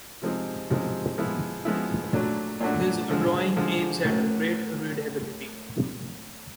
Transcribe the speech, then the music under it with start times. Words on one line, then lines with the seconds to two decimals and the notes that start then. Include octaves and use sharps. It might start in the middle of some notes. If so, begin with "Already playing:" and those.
His drawing aims at a great readability.
0.22 C3 F3 G#3 C4 D#4
0.70 C3 F3 G#3 C4 D#4
1.18 F3 G#3 B3 E4
1.65 F3 G#3 B3 E4
2.13 A#2 F#3 A3 D4 F#4
2.60 A#2 F#3 A3 D4 F#4
3.09 D3 F3 G#3
3.56 D3 F3 G#3
4.05 A2 F#3 A#3 C#4